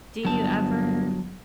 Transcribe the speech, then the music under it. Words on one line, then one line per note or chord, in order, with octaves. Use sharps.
Do you ever
G1 F#3 A5